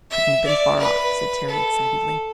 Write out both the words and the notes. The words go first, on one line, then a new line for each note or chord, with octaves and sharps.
"It couldn't have been far off," said Terry excitedly.
E5
D5
B4
A4